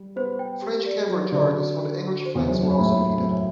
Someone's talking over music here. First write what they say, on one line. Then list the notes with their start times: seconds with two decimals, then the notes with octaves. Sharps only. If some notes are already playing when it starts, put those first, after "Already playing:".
French cavalry charges on the English flanks were also defeated.
Already playing: G3
0.16 B3 C5
0.39 G5
0.62 G4
0.86 D5
1.08 F#3 G4
1.32 D3 D5
1.56 F#4
1.79 F#4
2.01 F#4
2.25 C5
2.35 E2
2.47 F#2 C5
2.63 F#2
2.71 B5
2.79 A2
2.94 A2 B5
3.17 F#2 C5